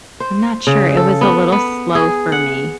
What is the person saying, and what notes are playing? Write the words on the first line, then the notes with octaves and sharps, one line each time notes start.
I'm not sure. It was a little slow for me.
C5
C#3
A4
B3
B3
G#4
F#5